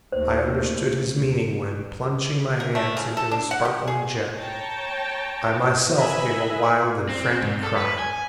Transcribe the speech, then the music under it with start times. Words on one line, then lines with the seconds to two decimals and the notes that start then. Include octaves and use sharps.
I understood his meaning when, plunging my hands into the sparkling jet, I myself gave a wild and frantic cry.
0.12 D#2 A3 C5
2.60 A#3
2.75 A3
2.97 C#3
3.17 A4
3.31 D4
3.51 F#5
3.65 G4
3.87 G#4
4.34 C#5 G5 A5 A#5
5.96 B4 D#5 E5 G#5 B5
7.09 C4
7.41 G#2
7.63 A4
7.76 B4
7.99 G#5